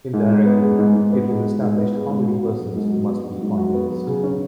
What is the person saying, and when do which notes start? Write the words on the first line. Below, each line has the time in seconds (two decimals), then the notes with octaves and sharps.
Indirectly it was established how many persons must be on the list.
0.14 G#2
0.30 G#2
0.45 B3
0.62 G#3
0.79 G#2
0.95 G#2
1.12 B3
1.28 G#3
1.44 G#2
1.61 G#2
1.77 B3
1.93 G#3
2.10 G#2
2.26 F#4
2.43 B3
2.59 F#3
2.76 G#2
2.92 F#4
3.08 B3
3.25 F#3
3.42 G#2
3.58 F#4
3.74 B3
3.90 F#3
4.07 C#3
4.24 C#4